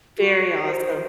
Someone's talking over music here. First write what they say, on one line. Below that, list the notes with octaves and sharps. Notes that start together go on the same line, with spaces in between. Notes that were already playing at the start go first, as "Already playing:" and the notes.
Very awesome.
F#4
C5